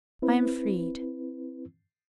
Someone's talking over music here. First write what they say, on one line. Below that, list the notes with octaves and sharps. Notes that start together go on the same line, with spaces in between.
I am freed.
C4 E4 B4